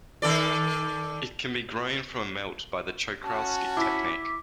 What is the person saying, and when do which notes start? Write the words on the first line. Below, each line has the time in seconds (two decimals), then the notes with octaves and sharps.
It can be grown from a melt by the Czochralski technique.
0.22 D#3 A4 D5
3.24 C#4 F#4 A5
3.77 E4 D6 B6